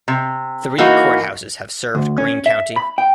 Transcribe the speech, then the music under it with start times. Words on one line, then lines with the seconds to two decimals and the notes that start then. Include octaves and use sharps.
Three courthouses have served Green County.
0.08 C3
0.78 E3 A#3 D#4 F#4
1.95 D2
2.18 C#4
2.46 E5
2.76 B5
2.98 G5